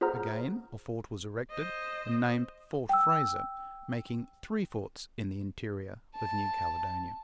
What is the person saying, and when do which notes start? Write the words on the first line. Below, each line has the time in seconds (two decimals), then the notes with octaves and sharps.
Again a fort was erected and named Fort Fraser, making three forts in the interior of New Caledonia.
0.01 F4 G#4 C5 F#5 A#5 F6
1.51 C5 D#5
2.89 G5 E6
6.17 A5